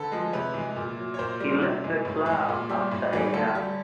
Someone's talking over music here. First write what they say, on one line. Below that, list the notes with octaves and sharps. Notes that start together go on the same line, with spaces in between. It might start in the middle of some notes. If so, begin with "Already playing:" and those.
He left the club after a year.
Already playing: D3 A4 B4
F3 G#3
C3 B4 C#5
E3 G#3
A#2
F#3
C#5
A#2 A#4 C5
G3
C3
E3 G#3
A2
E3 G#3
A#2
G3
A2
E3 G3
D3 A4
G3